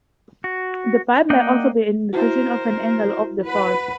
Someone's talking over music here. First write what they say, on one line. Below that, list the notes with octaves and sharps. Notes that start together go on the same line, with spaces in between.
The bulb may also be an indication of the angle of the force.
F#4
A#3 D5 D#5 F#5 G5
E4 F#4 A#4 C5
B4 F#5